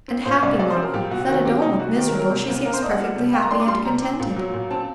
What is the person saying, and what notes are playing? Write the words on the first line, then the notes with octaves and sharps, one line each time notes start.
"And happy, mamma--Fleda don't look miserable--she seems perfectly happy and contented!"
C4
A#2 C5
C2 D5
F#3 D5
C5
C4
A#4
A#2 G4
C2 F#4
D#3 F#4
F#3 G4
C3 D#4
C2 F#4
D#3 G4
A#4
F#3
A#4
C3
C2
A#3 A#4
C5
D4 D#5
F#5
G3
C3
A#3 G5
A#5
D4 C6
D6
G3 C6
C3 A#5
C4
A#2
F#3
A#2
C4 A5